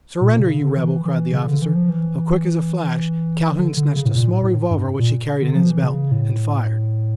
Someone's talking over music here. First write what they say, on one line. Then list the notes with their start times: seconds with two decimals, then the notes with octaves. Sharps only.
"Surrender, you Rebel!" cried the officer, but quick as a flash, Calhoun snatched a small revolver which he carried in his belt, and fired.
0.21 A#2
0.39 C#3
0.58 D3
0.77 E3
1.05 E3
1.33 C#3
1.47 D3
1.62 E3
1.75 F3
1.89 E3
3.59 D3
3.77 D3
3.96 C#3
4.06 A2
4.15 A#2
4.29 A2
4.43 A2
4.70 G2
4.99 A#2
5.42 D3
5.55 F3
5.70 E3
5.83 C#3
6.11 A2